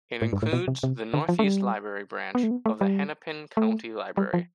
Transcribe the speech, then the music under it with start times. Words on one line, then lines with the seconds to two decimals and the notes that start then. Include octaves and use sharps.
It includes the Northeast Library branch of the Hennepin County Library.
0.22 A2
0.33 G2
0.42 A2
0.53 B2
0.68 C3
0.83 C3
1.14 D3
1.29 F3
1.39 A3
1.44 G3
2.35 B3
2.43 A3
2.51 B3
2.66 A3
2.81 G3
3.57 A3
4.17 G3
4.34 F3